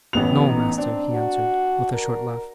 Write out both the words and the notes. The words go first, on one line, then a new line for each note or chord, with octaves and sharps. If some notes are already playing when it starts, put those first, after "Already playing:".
'No, master,' he answered with a short laugh.
A1 G2 B3 F7
D#4
C4 D4
F#4
A#4